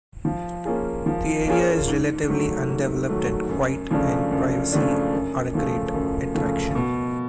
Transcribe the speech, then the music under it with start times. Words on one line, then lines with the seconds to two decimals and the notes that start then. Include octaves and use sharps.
The area is relatively undeveloped and quiet and privacy are a great attraction.
0.25 F3
0.65 A#3 C#4 F4 G#4
1.06 F3
1.46 A#3 C#4 F4 G#4
1.87 G#2
2.28 D#3 F#3 A3
2.69 G#2
3.09 D#3 F#3 A3
3.49 F#2
3.90 C#3 F3 A3 D4
4.31 F#2
4.72 C#3 F3 A3 D4
5.13 F#2
5.54 C#3 F3 A3
5.94 F#2
6.34 C#3 F3 A3
6.75 B2